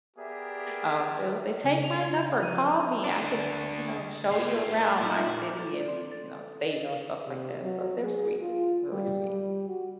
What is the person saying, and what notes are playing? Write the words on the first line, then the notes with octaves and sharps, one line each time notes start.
um, they'll say "Take my number, call me, I could, you know, show you around my city and" You know, state, or stuff like that. So, they're sweet, really sweet.
B3 G4 G#4 A#4 D5 E5
C#3
F7
G#6
F3 D#7
D2 D4
D2 A2 C7
A#2 D#4 E4
D6
A4
D5
C4
A4
D#5
F5
C3
F#3
G#4
F4
G3
G3
F#4